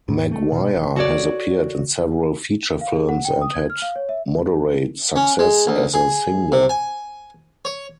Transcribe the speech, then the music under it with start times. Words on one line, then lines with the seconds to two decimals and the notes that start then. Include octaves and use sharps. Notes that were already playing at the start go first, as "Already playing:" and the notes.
Maguire has appeared in several feature films and had moderate success as a singer.
0.08 G#2
0.31 A3
0.52 B2
0.75 E1
0.96 F#4 A4 C#5 D5
2.81 F5
2.95 G#4
3.09 F#5
3.25 G5
3.41 D#6
3.53 G#6
3.70 F6
3.82 F5
3.96 C#5
4.09 E5
5.16 C#4
5.39 G#3
5.67 D2
5.94 G#4
6.52 C3
6.69 G#5
7.65 C#5